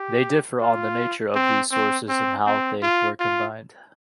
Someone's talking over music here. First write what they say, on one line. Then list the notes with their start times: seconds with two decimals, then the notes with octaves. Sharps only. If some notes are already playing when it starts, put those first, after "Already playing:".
They differ on the nature of these sources and how they were combined.
Already playing: G4
0.61 F4
1.35 C4
1.72 C4
2.09 C4
2.46 C4
2.82 F4
3.20 F4